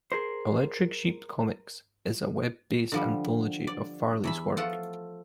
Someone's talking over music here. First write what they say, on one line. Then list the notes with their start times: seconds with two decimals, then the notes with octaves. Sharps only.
Electric Sheep Comix is a Web-based anthology of Farley's work.
0.12 G#4 A#4 C5
2.92 D3 F3 G3
3.67 D5
4.24 E2 E5 B5
4.57 F3 A3 F4 A4 F#5